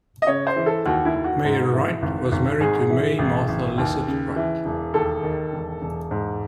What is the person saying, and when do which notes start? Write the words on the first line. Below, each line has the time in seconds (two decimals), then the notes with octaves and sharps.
Mayor Wright was married to May Martha Lycett Wright.
0.22 D#5
0.27 C#3 C#5
0.47 C5
0.56 E3
0.66 A4
0.85 D#2 F#4
1.05 E4
1.15 D#2
1.24 F#4
1.44 G#2
1.73 E3
2.02 G#1
2.32 G#1
2.60 G#2 G#4
2.90 E3
3.19 A1
3.48 A1
3.78 D#2
4.07 C#3
4.36 E3
4.65 E1
4.94 D#2 A4
5.23 D#3
5.52 E1
5.82 E1
6.11 G#2